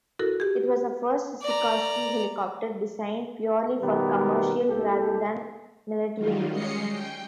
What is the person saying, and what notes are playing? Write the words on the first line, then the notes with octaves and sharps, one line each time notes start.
It was the first Sikorsky helicopter designed purely for commercial rather than military use.
E4 F#4 A4 A#4
G4 G#4
D5 A#5
B2 D#3 G3 B3 G4 A#4
C2 G#3 A#3 G4 A4
D#3 F#3 G3 F4
G3 G#3 C#4 D#5 C7 C#7
G5